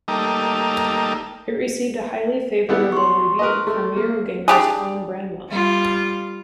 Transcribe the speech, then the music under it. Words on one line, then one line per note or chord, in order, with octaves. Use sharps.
It received a highly favourable review from Eurogamer's Tom Bramwell.
G3 A3 A#3 D#4
G3 B3 E4
C6 C#6
A#4 B4 D#5
A3
A#3
D4 G4 G#4
G3 F4